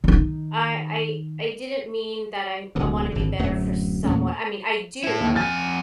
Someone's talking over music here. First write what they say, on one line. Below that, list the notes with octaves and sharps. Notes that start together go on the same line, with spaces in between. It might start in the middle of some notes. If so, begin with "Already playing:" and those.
I I I didn't mean that I'm I wanna be better for someone I mean, I do.
D#3 D#4
D1 D2 C3
G#1 D3
D1 F#2 F#3 A3
E2 A#2 A3 C#4
E4 A4
D#2
F2 G#5 F6 A6